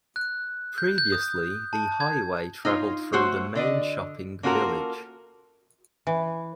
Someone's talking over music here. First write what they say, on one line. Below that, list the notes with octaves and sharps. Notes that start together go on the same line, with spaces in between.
Previously the highway travelled through the main shopping village.
F#6
G6
G6
D#6
A5
G#6
D#4 F4 C#5
A3 F#4 C5 C#5
D3 D5 D#5
A#3 C#4 F4 F#4 A4 A#4
E3